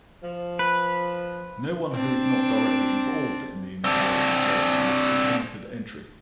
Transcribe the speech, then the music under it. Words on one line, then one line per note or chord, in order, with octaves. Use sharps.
No one who is not directly involved in the initiation ceremonies is permitted entry.
F3
B4
C4 D4
C4 D4